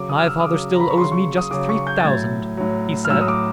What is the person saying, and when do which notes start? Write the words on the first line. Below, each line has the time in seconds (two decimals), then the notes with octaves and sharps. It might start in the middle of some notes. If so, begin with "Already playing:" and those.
'My father still owes me just three thousand,' he said.
Already playing: C#3 F#3 D6
0.09 D#6
0.19 F6
0.27 E6
0.40 D#6
0.44 C#3 F#3 D6
0.74 A#5
0.80 B5
0.90 C#6
0.97 C#3 F#3 C6
1.12 C#6
1.38 D#6
1.51 C#3 F#3 D6
1.69 C#6
1.87 G6
2.00 A6
2.05 A2 F#3 G#6
2.57 A2 F#3
3.05 F6
3.10 A2 F#3 E6
3.21 D#6
3.28 D6